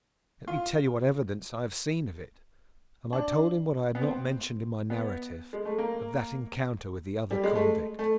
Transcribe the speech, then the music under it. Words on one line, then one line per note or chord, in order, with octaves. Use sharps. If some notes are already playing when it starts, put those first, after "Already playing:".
"Let me tell you what evidence I have seen of it." And I told him what I had not mentioned in my narrative, of that encounter with the other convict.
F4
D4
B3
C4
B3
G#3
A3
A#3
G3
G#3
A3
A3